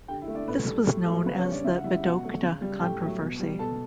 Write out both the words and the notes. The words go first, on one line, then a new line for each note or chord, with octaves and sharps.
This was known as the Vedokta controversy.
D3 G4 G5
E4 E5
A3
D4 D5
A2 B3 B4
G3 A4
A2 G4
F#3 A3 A4
A4
C#3 B3 B4
C#4 C#5
G3
D4 D5
C#3 E4 E5
F#5
G3 E4 E5
B2 F#4 F#5
F#3 A3
C#3
G3
A2 G4 G5
F#3 A3
B2
G3
B2 A4 A5